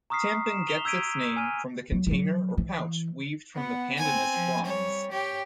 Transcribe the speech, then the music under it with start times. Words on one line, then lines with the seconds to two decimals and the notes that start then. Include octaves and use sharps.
Tampin gets its name from the container or pouch weaved from the pandanus fronds.
0.10 A#5 C#6 D#6 F6 B6 C7
0.46 E7
0.68 B6 F7 G7
0.85 E6 G6 G#6 B6 D7 D#7
1.36 G#5 F6 D#7
1.92 F#3
2.07 D3 F#3
2.57 E3
3.55 B3 F#5
3.97 C4 G#5
4.33 F3
4.65 G3 C#5
5.12 G4 C#5 G5